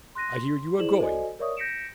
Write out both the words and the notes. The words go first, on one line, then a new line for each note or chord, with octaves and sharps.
I hear you are going.
C6 F#6 A#6 D#7
C6
E4 G#4 C5 D5 E7 F#7
F#4 A4 C5 D5 D#5 G#5
A#4 C#5 D5 E5 C#6 D#6
G6 A#6 B6 C#7 D7 E7